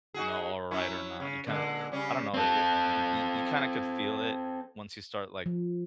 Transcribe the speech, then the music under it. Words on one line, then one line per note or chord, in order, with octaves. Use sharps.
you know, alright or not. You kinda I don't know, i y y y you kinda could feel it once you start, like,
D#4 F#4 G#4
F#3 C#4 E4
C#3
A#2 D3 G#3
C#3 G3 C#4
C4 A4
F3